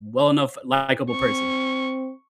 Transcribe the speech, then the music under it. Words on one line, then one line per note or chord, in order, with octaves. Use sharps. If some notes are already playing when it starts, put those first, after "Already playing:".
well-enough, likable person.
C4 C#6